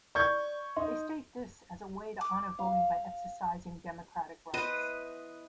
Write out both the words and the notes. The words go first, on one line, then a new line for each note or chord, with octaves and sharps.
They state this as a way to honor voting by exercising democratic rights.
D5 C#6 G6 G#6
D#4 C6
D6
F5
E3 B3 B4 C5 D#5